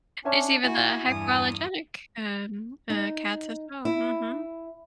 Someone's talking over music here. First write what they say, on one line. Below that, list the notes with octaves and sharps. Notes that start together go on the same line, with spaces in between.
There's even the hypoallergenic, um, uh, cats as well, mhm.
C#4 D4 C#5 E5 G#5
E4 F#4 G#5
E2 G2 D#6
D#4
E4